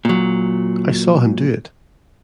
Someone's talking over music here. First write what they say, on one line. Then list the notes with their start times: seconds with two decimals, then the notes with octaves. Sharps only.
I saw him do it.
0.05 A#2 F#3